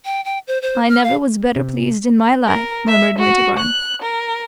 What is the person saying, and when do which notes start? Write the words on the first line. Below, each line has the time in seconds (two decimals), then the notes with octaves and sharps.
"I never was better pleased in my life," murmured Winterbourne.
0.05 G5
0.25 G5
0.47 C5
0.62 C5
0.90 F6
1.04 F5
1.56 C3
2.47 A#4
2.88 E5
3.19 F#4
3.59 F#6
4.02 A#4